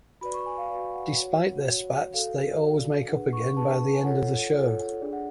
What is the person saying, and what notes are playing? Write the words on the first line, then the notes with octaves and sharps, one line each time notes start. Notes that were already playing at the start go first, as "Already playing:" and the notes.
Despite their spats, they always make up again by the end of the show.
F#4 B4 D5 B5
C#6
G#5
F5
F#4 B4 D5 F5
F#5
F#4 C#5
F#4 C#5
F#4 A4 D5 F5
F#4 A4 D5
D4 G#4 B4 F#5
C#6
D4 G#4 B4 A5
G#5
F4 A4 C#5 F#5
F4 A4 C#5
D4 G#4 D5
F#5